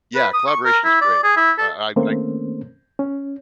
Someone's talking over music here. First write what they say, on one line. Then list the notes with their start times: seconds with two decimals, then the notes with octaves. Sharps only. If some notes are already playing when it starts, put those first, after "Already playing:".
Yeah. Collaboration's great. Uh, I I
0.15 B4
0.34 D#6
0.47 C#6
0.65 A#4
0.84 E4
1.01 D5
1.24 G#4
1.36 E4
1.58 A4
1.96 D#3 A3 A#3 C4 C#4 C5
2.99 C#4